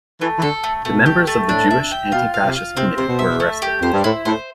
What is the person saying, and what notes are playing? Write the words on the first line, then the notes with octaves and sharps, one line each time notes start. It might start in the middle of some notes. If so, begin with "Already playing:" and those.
The members of the Jewish Anti-Fascist Committee were arrested.
E3 A3
E3
D3 A4
A3
B2 A3
G4
A3
A2 D4
E5
G5
B2 F4
F5
C3
F4
C3 C4
C3 C5
B2
E5
A3
G4
F2 C5
G2
A2 E4
A2 C5